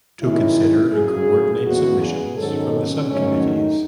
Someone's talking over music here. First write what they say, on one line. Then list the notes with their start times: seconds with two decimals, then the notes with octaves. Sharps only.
To consider and coordinate submissions from the sub-committees.
0.21 F#2 D#3 G#3 C#4 E4
0.92 F#2 C#3 F#3 G#4
1.65 E2 C#3 G#3 B3 F#4
2.01 G#4
2.37 G#2 D#3 F#3 C#4 A4
2.73 C#4
3.09 G#2 D#3 F#3 A3 C#4
3.45 D#4